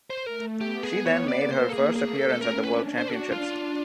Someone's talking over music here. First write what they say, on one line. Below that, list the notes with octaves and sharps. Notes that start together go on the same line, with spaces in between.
She then made her first appearance at the World Championships.
C5
A3 A#4
B3 G4
G#4
C#5
A#3 D5
C5
A4
G#4
A3 G#4
A4
C#4
A#4
D4 B4
C5
F#4
D4 F4